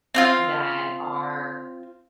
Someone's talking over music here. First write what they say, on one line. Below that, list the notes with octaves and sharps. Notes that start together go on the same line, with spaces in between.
that are
C4 D#4 F4